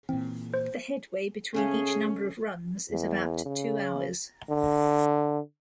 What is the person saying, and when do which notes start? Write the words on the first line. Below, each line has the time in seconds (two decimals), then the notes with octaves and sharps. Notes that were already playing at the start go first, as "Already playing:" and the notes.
The headway between each number of runs is about two hours.
0.09 A#2 E3 C4
0.54 C5
1.54 C#3 G#3 A3 C#4 G#4
2.91 E2
3.45 C#3
4.50 D3